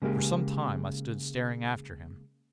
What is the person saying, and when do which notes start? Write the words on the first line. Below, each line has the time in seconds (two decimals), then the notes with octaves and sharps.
For some time I stood staring after him.
0.02 C#3 G#3 A#3 G4 G#4